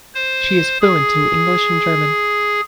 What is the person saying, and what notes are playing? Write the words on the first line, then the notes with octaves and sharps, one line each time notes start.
She is fluent in English and German.
C5
G#4